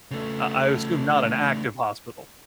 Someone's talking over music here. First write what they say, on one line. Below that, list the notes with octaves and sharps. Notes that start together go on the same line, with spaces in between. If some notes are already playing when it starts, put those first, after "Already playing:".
I I assume not an active hospital.
C#3 A3